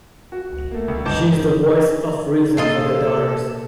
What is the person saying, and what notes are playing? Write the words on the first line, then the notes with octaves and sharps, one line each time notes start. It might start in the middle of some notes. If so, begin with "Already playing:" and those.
She is the voice of reason for her daughters.
F#4
A3 A#3
C#2
G1 D#4 A5 D6 G6 E7
A#2 G#3 A#3 F4 A4 D#5 A6